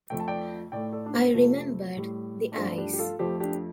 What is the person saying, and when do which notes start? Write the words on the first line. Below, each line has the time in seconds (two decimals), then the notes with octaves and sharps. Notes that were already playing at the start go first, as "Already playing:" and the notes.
I remembered the eyes.
0.10 F2 F3 A3 G5
0.20 A5
0.28 D5 G5
0.72 A2 A3 D5 G5
0.93 A4 D5
1.06 D4
1.14 C4
1.34 F2 C3 F3 A3
1.96 A2 G3
2.52 D4
2.58 G2 F3 A3 C4 F4
2.78 D4 G4
2.93 G4
2.99 F4 A4
3.19 F2 F3 A3 G4 C5
3.40 D4 G4